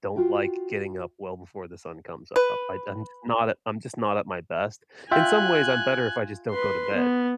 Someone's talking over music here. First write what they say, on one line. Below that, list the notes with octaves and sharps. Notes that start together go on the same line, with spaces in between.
Don't like getting up well before the sun comes up. I do I'm not I'm just not at my best. In some ways, I'm better if I just don't go to bed,
F4 F#4 F5 G5
B4
F4 E5 G5 G#5 F#6
B4 C6
B3